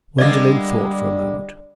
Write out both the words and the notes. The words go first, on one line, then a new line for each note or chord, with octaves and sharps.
Gwendolen thought for a moment.
D3 G3 G#3 A#3 D5 D#5